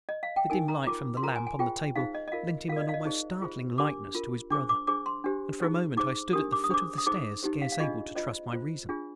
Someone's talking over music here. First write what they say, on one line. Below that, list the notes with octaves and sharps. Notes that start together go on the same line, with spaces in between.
The dim light from the lamp on the table lent him an almost startling likeness to his brother; and for a moment I stood at the foot of the stairs scarce able to trust my reason.
D#5
F5
G5
D#4 A#4 G#5
A#5
F4 A#4 D6
C6
F4 A#4 A#5
G#5
G#5
F4 G#4 C5 G5
D#4 G#4 C5 F5
D#5
D#5
F4 A#4 F5
F4 A#4 D5 F5
D#5
F5
D#5
D#4 G#4 C5
F4 G#4 C5
D4 G4 A#4 D6
F4 A#4
D4 G#4 C5 D6
D6
D4 G#4 C5 D6
C6
D4 G4 C5
D#4 G#4 C5
D#4 G#4 C5 D6
D4 G4 A#4 D#6
D6
D#6
D4 G#4 C5 D6
D#6
D#4 G#4 C5 D6
D#4 G4 C5
F5
F5
D4 F4 G#4 D#5
F4 C5 D#5
F4 C5
D4 F4 G#4